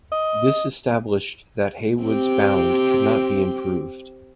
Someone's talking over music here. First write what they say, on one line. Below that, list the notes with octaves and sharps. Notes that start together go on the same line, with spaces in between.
This established that Heawood's bound could not be improved.
D#5
C4 G4